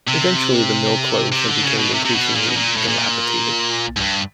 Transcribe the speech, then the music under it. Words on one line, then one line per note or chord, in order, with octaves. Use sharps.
Eventually the mill closed and became increasingly dilapidated.
C3
C3
D3
C#3
B2
C3
C3
B2
A#2
B2
A#2
A2
A#2
G#2
G2